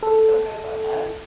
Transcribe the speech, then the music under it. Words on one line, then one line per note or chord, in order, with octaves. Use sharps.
You feel good about that?
A4